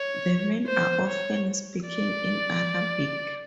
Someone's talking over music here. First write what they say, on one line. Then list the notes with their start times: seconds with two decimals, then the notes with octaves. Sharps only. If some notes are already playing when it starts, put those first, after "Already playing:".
The men are often speaking in Arabic.
Already playing: C#5
0.66 C5
1.07 C#5
1.87 D5